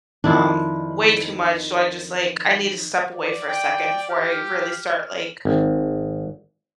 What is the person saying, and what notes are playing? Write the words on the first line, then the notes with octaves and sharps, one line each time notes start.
um, way too much, so I just like I need to step away for a second before I really start like
F2 D#3 D4 E4 F4
D5
G5
G4 F6
G#1